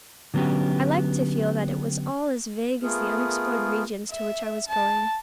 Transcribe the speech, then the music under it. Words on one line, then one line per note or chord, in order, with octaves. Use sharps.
I liked to feel that it was all as vague as the unexplored regions to which I was going.
D3 F#3 B3 C#4 G4
A3 B3 F4 G#4 A#4
E5
A5